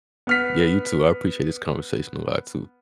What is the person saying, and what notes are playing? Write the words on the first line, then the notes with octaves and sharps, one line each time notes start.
Yeah, you too. I appreciate this conversation a lot, too.
B3 F6 B6